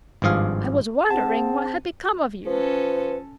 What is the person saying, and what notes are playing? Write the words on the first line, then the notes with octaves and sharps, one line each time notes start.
"I was wondering what had become of you."
G#1 G2 F3 G#4 F5
C4 G#4 F#5 A5
F3 C#4 A4 B4